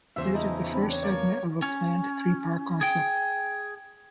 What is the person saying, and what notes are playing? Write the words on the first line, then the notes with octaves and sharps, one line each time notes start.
It is the first segment of a planned three-part concept.
E2 C#3 F4 C5 E5
F3 D#4 E4 D#5
C4 D4 B5
C#5
A#3 D5
C#4
G#4 G5